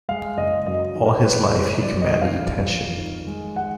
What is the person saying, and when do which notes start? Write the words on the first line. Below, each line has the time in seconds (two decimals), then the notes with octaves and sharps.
All his life he commanded attention.
0.09 G#3 F5
0.37 F#1 D#5
0.66 F#2 D#5
0.95 D#3
1.06 A#4
1.24 G#3 B4
1.53 F#1
1.82 F#2 D5
2.02 D#5
2.11 D#3
2.21 F5
2.41 F2
2.69 F2
2.98 D#3
3.27 G#3
3.56 F#5